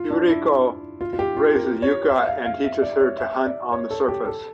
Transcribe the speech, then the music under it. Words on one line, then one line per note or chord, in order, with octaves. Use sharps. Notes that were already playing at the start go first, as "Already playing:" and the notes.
Yuriko raises Yuka and teaches her to hunt on the surface.
Already playing: F4
D4
E4
F4
F4
G4
F4
A#4
C#5
E5
F5
F5
E5
D5
C#5
E5
D5
C#5
A4
G4
A4